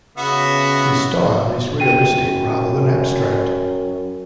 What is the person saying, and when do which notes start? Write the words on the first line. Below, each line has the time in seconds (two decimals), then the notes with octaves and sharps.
His style is realistic rather than abstract.
0.18 C#3 B3 F#4 E5
1.80 F#2 G5 D#7